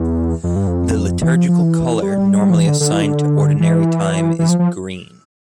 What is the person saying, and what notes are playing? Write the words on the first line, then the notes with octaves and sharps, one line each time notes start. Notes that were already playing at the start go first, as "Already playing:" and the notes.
The liturgical color normally assigned to Ordinary Time is green.
Already playing: E2
F2
G2
F2
E3
F3
F3
E3
G3
G3
F3
E3
D3
D3
E3
D3
E3
E3
F3
F3